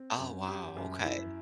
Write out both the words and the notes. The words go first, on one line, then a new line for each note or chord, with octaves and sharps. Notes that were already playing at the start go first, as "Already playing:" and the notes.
Ah, wow, okay.
Already playing: C4
F#2
G4
F#2
E4